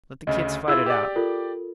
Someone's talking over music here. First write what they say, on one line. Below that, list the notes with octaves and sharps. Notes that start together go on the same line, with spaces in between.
"Let the kids fight it out."
D2 C#3 D#5
E4 F4 G#4 E6
G4 D5
F4 A4 A#4